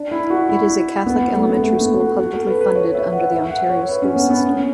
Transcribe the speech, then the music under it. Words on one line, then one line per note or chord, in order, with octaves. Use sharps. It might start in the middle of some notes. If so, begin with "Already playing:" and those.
It is a Catholic elementary school publicly funded under the Ontario school system.
Already playing: D4
E4
F#4
E4
B3
A3
B3
A3
B3
F#4
F#4
A4
B4
B4
C#5
E5
F#5
E5
F#5
C#5
B4
C#4
B3
B3
C#4